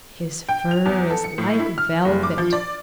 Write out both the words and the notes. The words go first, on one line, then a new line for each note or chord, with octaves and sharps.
His fur is like velvet.
G5
F7
E2
A4
C#7
A2
E4
F6
F#1
D6
F3
D5